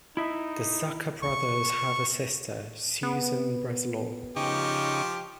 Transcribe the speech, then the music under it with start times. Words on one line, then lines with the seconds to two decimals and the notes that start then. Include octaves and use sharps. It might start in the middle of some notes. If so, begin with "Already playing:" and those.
The Zucker brothers have a sister, Susan Breslau.
0.17 D#4 E4 E5
1.22 C#6
3.03 B3
4.36 C#3 F3 D#4 G4 C#6